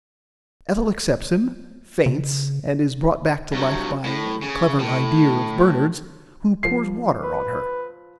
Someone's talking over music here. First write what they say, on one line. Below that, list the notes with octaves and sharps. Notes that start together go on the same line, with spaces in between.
Ethel accepts him, faints and is brought back to life by a clever "idear" of Bernard's, who pours water on her.
C#3
G2 F#3
A2
C#3
A2
F3 C7
B4